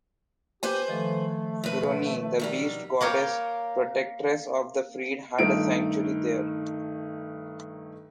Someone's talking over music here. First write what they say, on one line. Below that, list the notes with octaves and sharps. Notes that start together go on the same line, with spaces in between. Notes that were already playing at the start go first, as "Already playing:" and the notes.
Féronie, the beast goddess, protectress of the freed, had a sanctuary there.
G4 B4 C5 G#5
D#3 F3 A3 A4
D#2 B2 B4
D#3 F#3 G3
A#3 A#4 C#5 G5
G2 D#3 A3 D#4 D7